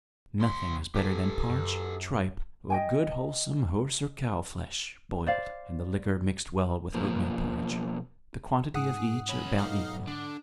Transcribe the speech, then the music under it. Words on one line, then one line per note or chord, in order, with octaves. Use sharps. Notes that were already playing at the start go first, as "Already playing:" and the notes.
Nothing is better than paunch, tripe, or good wholesome horse or cow-flesh, boiled, and the liquor mixed well with oatmeal porridge; the quantity of each about equal.
C2 C6
G4 A4
F#2
D#5 G5 G#5
C5 D5 F5
B2 F3 A#3
G#2 G#4 F#5 D#6
B1 C#4 B5
D#4 D#5 F5
D3 D4